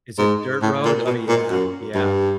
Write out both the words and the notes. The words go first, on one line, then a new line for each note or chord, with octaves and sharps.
Is it dirt road? Oh, yeah, yeah.
G#2
A2
A#2
B2
A#2
F#2
G2